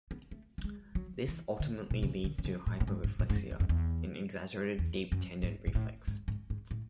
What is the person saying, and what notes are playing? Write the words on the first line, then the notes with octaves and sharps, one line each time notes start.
This ultimately leads to hyperreflexia, an exaggerated deep tendon reflex.
B3
A3
A3
G#3
F#3
E3
D3
B2
C#3
D3
D3
C#3
A2
A2
G#2
G#2
A2
G#2
F#2
E2
F#2
E2
E2
F#2
G#2
G#2
A2
G#2
G#2
G#2
A2